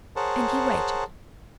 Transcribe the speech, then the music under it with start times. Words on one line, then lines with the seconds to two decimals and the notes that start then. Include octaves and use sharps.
And he waited.
0.16 G#4 A#4 C5 C#5 F#5 A5